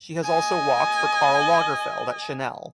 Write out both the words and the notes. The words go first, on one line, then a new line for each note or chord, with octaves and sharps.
She has also walked for Karl Lagerfeld at Chanel.
D#5 G#5